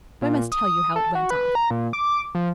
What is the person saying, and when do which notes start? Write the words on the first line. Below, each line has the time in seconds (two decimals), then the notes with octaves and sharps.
But I must tell you how it went off.
0.22 A#2
0.52 D#6
0.96 A4
1.15 F#4
1.30 B4
1.55 A#5
1.71 A#2
1.93 D6
2.35 F3